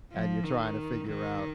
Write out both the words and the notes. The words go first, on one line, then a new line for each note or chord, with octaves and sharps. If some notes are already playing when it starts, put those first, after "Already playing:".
and you're trying to figure out
F3
D#3
D#3